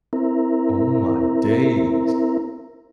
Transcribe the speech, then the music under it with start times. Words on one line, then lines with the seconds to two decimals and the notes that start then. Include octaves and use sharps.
Oh my days.
0.13 C4 E4 A#4